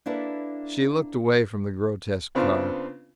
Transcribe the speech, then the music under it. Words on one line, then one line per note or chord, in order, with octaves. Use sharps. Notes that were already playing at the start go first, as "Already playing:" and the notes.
She looked away from the grotesque car.
A#3 D4 E4 A4 B4
C#3 B3 C4 D4 F4